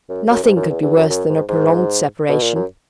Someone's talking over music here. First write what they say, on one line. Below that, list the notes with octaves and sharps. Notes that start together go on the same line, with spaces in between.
Nothing could be worse than a prolonged separation.
F#2
F#2
G#2
F#2
E2
E2
F#2
F#2
G#2
G#2
B2
A#2
F#2